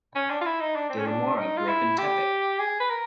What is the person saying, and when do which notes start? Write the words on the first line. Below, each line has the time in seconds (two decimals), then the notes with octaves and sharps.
De la Mora grew up in Tepic.
0.15 C#4
0.30 D4
0.41 F4
0.46 E4
0.61 D#4
0.76 D4
0.90 C4
0.98 C#4
1.06 D4
1.37 D#4
1.57 F4
1.68 E4
1.98 G4
2.59 G#4
2.80 B4
2.90 A#4